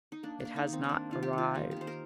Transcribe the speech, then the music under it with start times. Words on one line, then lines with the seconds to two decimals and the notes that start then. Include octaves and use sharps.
It has not arrived.
0.12 D#4
0.23 A#3 D4
0.40 D4
0.45 A#3
0.56 D#4
0.67 D#3
0.73 C4
0.84 D#4
0.89 A#3 D4
1.11 D#3 F4
1.23 G4
1.33 D#3 F4
1.54 A#3 D#4
1.71 G4
1.77 D#3 C5
1.87 A#4